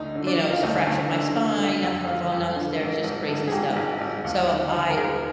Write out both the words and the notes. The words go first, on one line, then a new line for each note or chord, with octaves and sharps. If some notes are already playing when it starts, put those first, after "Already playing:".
you know, fractured my spine, not from falling down the stairs, just crazy stuff. So I
Already playing: D2 D#4
D3
D4
D3
F4
D2 D#4
D2
D3
D3
D3
F2
F2 F4
F2
D3
G#1
G#1
G#1
G#4
G#2 G4
G#1
G#1
D#2
D#3
D#3
A#4
D#2 G#4